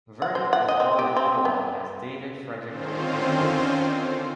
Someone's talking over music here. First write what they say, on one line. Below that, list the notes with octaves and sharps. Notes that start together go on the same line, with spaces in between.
Vernon was born in Ottawa as David Frederick Wingfield Verner.
F#5
C5
F#5
D#5
C4
G4
C4
B3
D3 D#3 C4 C#4 F4 C5